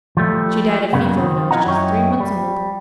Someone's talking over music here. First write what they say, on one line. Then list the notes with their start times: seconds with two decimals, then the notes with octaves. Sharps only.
She died of fever when I was just three months old.
0.17 F3 G3 A3
0.93 F#2 C#3 A#3 B3
1.18 D#3 C4
1.51 E4 F4 B4 D#5 F#5 A#5
1.66 F#2 E4 C#5 D#5 G5
2.20 G3